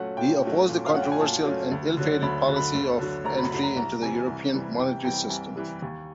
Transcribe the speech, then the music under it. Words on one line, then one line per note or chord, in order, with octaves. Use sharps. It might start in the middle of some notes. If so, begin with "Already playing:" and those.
He opposed the controversial and ill-fated policy of entry into the European Monetary System.
Already playing: A#2 F#3 A3 C#4 F#5
A#2 G5
F#3 A3 C#4
A#2
F5
F#3 A3 C#4 F#5
G5
G#5
A#2 A5
F#3 A3 C#4
D2
D3 F#3
D2 B5
D3 F#3
B5
D2
D3 F#3
D2 A#5
B5
D3 F#3 B5
A#5
C2 A#5
C3 E3 G3 G#5
G#5
C2
C3 E3 G3
C2 G5
C3 E3 G3 G5
C2 G#5
C3 E3 G3
D#2